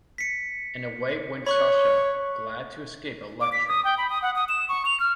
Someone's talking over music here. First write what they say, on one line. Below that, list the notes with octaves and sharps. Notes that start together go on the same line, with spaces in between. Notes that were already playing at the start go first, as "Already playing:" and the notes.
And away went Sasha, glad to escape a lecture.
B6 C#7
C#5 B5 C#6 F#6
D6
B6
D#6
G5
B5
D#6
F#5
D#6
E7
C#6
F7
F6